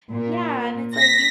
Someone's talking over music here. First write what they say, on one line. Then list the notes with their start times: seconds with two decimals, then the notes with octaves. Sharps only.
Yeah, and it's, like, you
0.12 A#2
0.95 A#6 B6